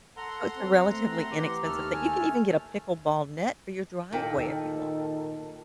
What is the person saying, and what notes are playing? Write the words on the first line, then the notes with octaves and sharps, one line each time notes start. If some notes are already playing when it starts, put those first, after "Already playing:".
it's a relatively inexpensive thing you can even get a pickleball net for your driveway if you want.
A4 F#5 A#5 C6
C4
A3 C4
E3 G4
D#2 A3 A4 F6
G#5
A#2 D#3 A4 A#4 G5